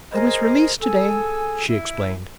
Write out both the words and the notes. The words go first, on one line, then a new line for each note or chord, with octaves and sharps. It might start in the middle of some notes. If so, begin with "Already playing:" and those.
"I was released to-day," she explained.
G#4 A#4 C5 D#5
G#4 A4 G#5 E6
E4